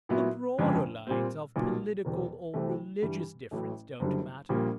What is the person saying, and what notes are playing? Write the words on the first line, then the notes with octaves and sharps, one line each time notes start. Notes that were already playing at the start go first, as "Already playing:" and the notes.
The broader lines of political or religious difference don't matter.
A#2 F#3 B3 E4
G1 F2 C#3 F3 G#3
A#2 G3 C4
B1 A#2 F#3 A#3
E1 E2 C3
C2 C3 E3 A3
G2 E3 G3
A1 A2 F#3 A3
F#1 F#2 D3 G3
A#1 A#2 G3 A#3